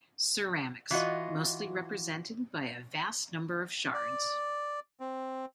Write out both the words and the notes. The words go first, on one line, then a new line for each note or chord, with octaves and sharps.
Ceramics: Mostly represented by a vast number of shards.
E3 F4 F#4 D#5
D5
C4